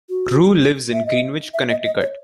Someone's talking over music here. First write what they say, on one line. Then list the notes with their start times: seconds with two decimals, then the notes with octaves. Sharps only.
Ruh lives in Greenwich, Connecticut.
0.09 F#4
0.93 E5
1.06 D#5
1.54 E5
1.70 D#5
1.85 D#5
2.01 C#5